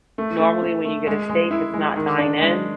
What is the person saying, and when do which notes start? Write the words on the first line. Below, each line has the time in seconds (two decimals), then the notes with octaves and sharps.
normally, when you get a steak, it's not dine in,
0.18 A3
0.39 A3
0.62 A3
0.85 A3
1.07 G#3
1.29 G#3
1.51 E4
1.74 G#3
1.96 D#3
2.18 D4
2.40 G#3